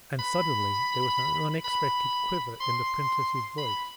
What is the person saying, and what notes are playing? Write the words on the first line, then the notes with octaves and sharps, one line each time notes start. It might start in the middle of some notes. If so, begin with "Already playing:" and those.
And suddenly there was an unexpected quiver in the princess's voice.
B5
B5
C6
B5